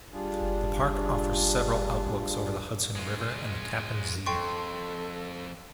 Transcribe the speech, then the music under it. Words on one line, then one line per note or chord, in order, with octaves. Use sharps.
The park offers several outlooks over the Hudson River and the Tappan Zee.
G3 D4 F4 G#4
G#3 F4
F2 A4 G5 C6 C#6